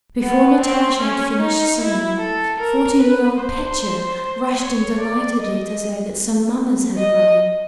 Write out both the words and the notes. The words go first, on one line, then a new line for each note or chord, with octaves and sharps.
Before Natasha had finished singing, fourteen-year-old Petya rushed in delightedly, to say that some mummers had arrived.
B3
C4
C#4
D#4
E4
A4
A#4
B4
C5
C#5
D5
D#5
D#5